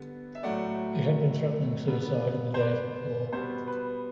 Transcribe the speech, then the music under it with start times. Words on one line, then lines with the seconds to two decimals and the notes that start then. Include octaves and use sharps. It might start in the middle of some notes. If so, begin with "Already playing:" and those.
He had been threatening suicide in the days before.
Already playing: D3 G3 B3
0.35 E5
0.43 A2 F#3 A3 D5 F#5
1.87 D3 G3 B3
2.54 C5
2.60 B4 D5
3.32 B2 G3 B3 C5
3.68 B4